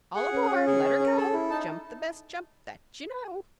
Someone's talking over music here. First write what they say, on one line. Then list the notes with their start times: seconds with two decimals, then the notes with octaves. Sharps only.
"All aboard! let 'er go! Jump the best jump that you know."
0.15 G#4 F#5
0.33 C#4
0.50 C#4
0.67 G#4
0.83 C#4
0.99 C#4
1.17 A4
1.33 E4
1.50 D#4 A5